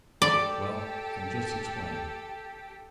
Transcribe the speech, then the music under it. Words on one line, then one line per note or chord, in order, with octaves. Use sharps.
Well, I'll just explain.
G4 A4 D5